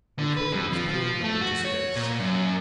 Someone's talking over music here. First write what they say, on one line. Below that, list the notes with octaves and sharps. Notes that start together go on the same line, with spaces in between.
Mukoki was peering up into space.
D3
B4
F2
F3
F3
A3
F#4
C#5
A#2
F#2